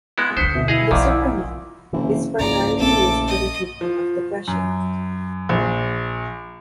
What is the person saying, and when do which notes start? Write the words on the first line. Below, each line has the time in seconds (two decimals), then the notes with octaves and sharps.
Desipramine is primarily used for the treatment of depression.
0.18 G#3 B3 E4
0.37 D2 D4 C5 D#6 B6 C#7
0.55 B2 E5
0.68 E4 G#4 D#5 F5
0.91 B1 G#2 D#3 F3 D5 F5 D6
1.38 C2 F4
1.93 F#1 C3 E3
2.39 F#1 C#2 G#2 F3 D5 A#5
2.79 A#1 A3 A4 D6
3.27 D#5
3.81 F3
4.48 F#2
5.49 A#1